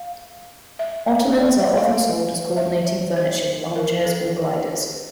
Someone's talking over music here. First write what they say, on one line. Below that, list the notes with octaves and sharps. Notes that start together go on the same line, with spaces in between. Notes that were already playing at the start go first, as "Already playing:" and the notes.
Ottomans are often sold as coordinating furniture with armchairs or gliders.
Already playing: F5
E5
D5
E5
F5
F5
E5
C5
A#4
A4